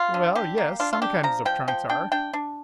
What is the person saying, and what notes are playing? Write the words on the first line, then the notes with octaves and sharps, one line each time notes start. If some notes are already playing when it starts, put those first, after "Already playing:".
"Well, yes--some kinds of trunks are."
Already playing: F4
D3
D3 G4
A#3
D4 F4
F4
D4 G4
F3 A#5
F3 G5
F3 G5
D4 G5
D4 G5
D4